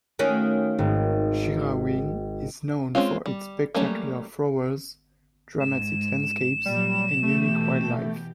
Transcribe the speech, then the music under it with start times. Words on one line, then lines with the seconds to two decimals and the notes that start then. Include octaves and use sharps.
Girraween is known for its spectacular flowers, dramatic landscapes and unique wildlife.
0.19 D#3 A3 C#4 F#4 F5
0.79 G#1
2.95 G#3 C4 C#4 F4
3.26 G3
3.75 F#3 G3 A3 A#3 C#4
5.60 G#2 E7
6.65 A#2 F#3 G3
7.23 B2 E3 A3 G4